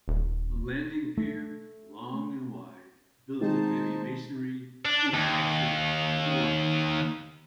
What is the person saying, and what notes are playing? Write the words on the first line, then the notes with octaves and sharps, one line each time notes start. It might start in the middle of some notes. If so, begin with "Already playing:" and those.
A landing-pier, long and wide, built of heavy masonry, gives access to the lighthouse.
D#1
A3
D#3 G#3 C4 D#4 C5 A5
D4
D#2